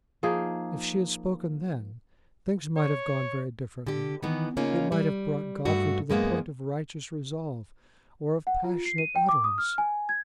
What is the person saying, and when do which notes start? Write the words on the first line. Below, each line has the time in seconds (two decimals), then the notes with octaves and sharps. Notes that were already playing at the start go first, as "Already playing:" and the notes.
If she had spoken then, things might have gone very differently: it might have brought Godfrey to the point of righteous resolve or of passionate utterance.
0.23 F3 A#3 D#4 G#4
2.76 C#5
3.87 D3 G4
4.23 D#3 E3 B3
4.57 C#3 A#3 C#4 D#4 F4
4.92 G3
5.65 G2 A3 F#4
6.09 F#2 G#3 A#3 B3
8.47 F#5
8.64 F4
8.85 C7
8.98 D#7
9.16 G5
9.29 D6
9.44 D#6
9.58 F6
9.78 G#5
10.09 G#6